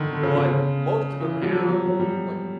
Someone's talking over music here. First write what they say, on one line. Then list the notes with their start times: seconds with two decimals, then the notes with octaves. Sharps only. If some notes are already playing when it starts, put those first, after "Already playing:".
but most of 'em have, like,
Already playing: D3 D#3
0.13 D3
0.23 C#3
0.35 C#3
0.45 C#3
1.20 E3
1.42 G3
1.52 F#3
1.59 F3
1.69 F#3
1.86 F#3
1.99 G3